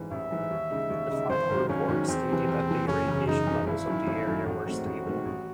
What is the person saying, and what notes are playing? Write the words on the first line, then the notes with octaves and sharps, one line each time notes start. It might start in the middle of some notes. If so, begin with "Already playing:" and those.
The final report stated that the radiation levels of the area were stable.
Already playing: A1 G#2 E3
A1 E5
G#2 E3
D#2
C#3 G#3 D#4
D#2
C#3 G#3 D#4
G#1 C5
G#2 D#3 F#3
G#1 C#4
G#2 D#3 F#3
E2 C4
C3 E3
E2
C3 E3
F#1 C#4
E2 C#3
F#1 D#4
E2 C#3
G#1 E4
F#2 D#3
G#1
F#2 D#3
A1 F#4
G#2 D#3 A3 C4
A1
G#2 D#3 A3 C4
A1